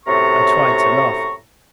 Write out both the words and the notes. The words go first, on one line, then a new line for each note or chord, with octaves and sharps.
I tried to laugh.
F#2 A2 C3 A#5 C#6